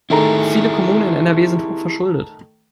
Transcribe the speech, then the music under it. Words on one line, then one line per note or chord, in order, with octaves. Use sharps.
Viele Kommunen in NRW sind hochverschuldet.
D#3 A3 E4 G4 G#4 A#5